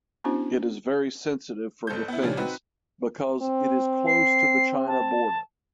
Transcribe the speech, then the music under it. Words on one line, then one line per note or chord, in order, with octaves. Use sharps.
It is very sensitive for defence because it is close to the China Border.
B3 C#4 D4 E4 F#4 C5
G1 A4 C5 G6
B3 E4
A#2 C#3 F3 G3 C#4 D4
C4 D#4 F#4 B4
C4
C7
A5